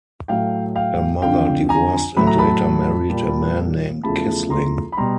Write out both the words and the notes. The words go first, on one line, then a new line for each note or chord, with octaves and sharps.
Her mother divorced and later married a man named Kissling.
A2 F#3 A3 F5 G5
F5 G5
F2 D3 F3 F5 G5
G#5 A#5
A2 F#3 A3 B5
A#5
A5 B5
A#2 G3
E2 C#3 F3 A3 A5 B5
A#5 C6
B5
B2 G3 A#5 C6